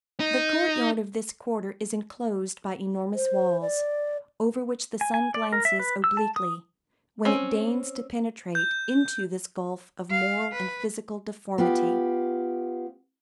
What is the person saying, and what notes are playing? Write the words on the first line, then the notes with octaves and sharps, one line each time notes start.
The court-yard of this quarter is enclosed by enormous walls, over which the sun glances obliquely, when it deigns to penetrate into this gulf of moral and physical deformity.
D#4
C5
D5
G#5
G#5
D5
A#4
E5
B4
E6
A5
D#6
C4 C#4
G6
F5
B4
B3 F4 G4